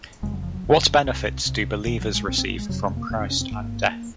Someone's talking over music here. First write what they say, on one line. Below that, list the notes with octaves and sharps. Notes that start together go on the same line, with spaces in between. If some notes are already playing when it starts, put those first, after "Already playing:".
What benefits do believers receive from Christ at death?
F1 F2 C#3 G#3
F#3
F3
F#3
F1 F2 C#3
C2 C3
C2 C3
A#1 A#2 D#3
F#3
G#3
A#1 A#2 C4
C4
A#3
G#3
F#1 F2 C3 F#3
G#3
A#3
F#1 F2 C3 A#3
C4
C#4
C4
G#1 G#2 A#3